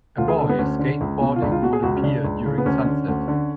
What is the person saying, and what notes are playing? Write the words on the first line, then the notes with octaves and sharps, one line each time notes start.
A boy skateboarding on a pier during sunset.
D2 F4
G#4
D3 A4
B3
D2 C#4
D3
C#2
B2
F4
C#2 D4
F4
B2 F#4
G#4
C#2 F#4
C#4
C#3 D4
C#2
C#3
B3
D2 C#4
D3
D2
D3